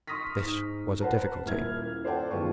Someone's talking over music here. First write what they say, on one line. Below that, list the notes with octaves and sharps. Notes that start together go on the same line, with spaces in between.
This was a difficulty.
C6 C#6 D#6 F6 A#6 B6
G#2
B4 C5 F#5 A5 A#5
D#1 A#3 E4 F6 G#6
A4 C5 D5 F#5 G5 A5
F#1 D#2 G#3 B3 F4 C#6